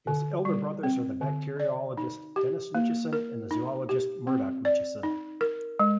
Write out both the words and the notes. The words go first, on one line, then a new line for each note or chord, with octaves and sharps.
His elder brothers are the bacteriologist Denis Mitchison and the zoologist Murdoch Mitchison.
D3
G3
C4
D3
D5
D#4
G4
A#3
A#4
D#4
G4
C4
D5
D#4
A#4
G#3